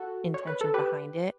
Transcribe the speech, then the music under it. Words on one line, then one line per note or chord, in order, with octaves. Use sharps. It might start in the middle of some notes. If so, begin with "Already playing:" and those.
intention behind it,
Already playing: F#4 A4
C#5
B4
A4
G4 B4